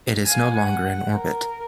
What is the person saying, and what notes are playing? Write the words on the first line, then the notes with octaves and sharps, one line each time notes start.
It is no longer in orbit.
F5 G#5
F#5
A#4